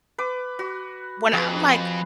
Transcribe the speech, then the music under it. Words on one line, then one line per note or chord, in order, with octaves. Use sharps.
when I'm like,
B4 D6
F#4
F2 G#4 B4